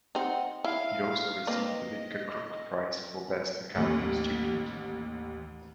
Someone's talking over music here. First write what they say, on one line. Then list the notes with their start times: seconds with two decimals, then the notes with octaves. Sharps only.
He also received the Victor Crooke Prize for Best Accounting Student.
0.15 C4 D#4 F#5
0.64 E4 E5 F5
1.47 A#3 C4 B4 D#5
3.75 A1 D#2